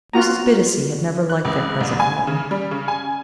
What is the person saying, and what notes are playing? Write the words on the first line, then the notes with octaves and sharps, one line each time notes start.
Mrs. Bittacy had never liked their present home.
F4 F#4 A#5
F#6
C#2
C2
G#5
C#3
G3
C#3
G#5